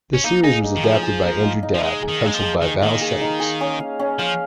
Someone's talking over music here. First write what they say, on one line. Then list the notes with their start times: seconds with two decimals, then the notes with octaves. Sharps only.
The series was adapted by Andrew Dabb and pencilled by Val Semeiks.
0.13 C#4
0.24 A#3 D#4
0.43 D#4 G#4
0.64 D#4
0.77 D#3
0.83 F3 G#4
1.03 G#4
1.23 A#3
1.43 D#4
1.63 D#4
1.74 F3
1.82 G#3 D#5
2.02 G#4
2.08 D#3
2.21 G#3 A#3
2.34 F3
2.42 G#4
2.62 D#3 D#5
2.81 D#3 A#3
3.01 G#4
3.21 D#4
3.40 G#4
3.61 C#4
3.80 F5
3.99 C#4
4.19 F3 F5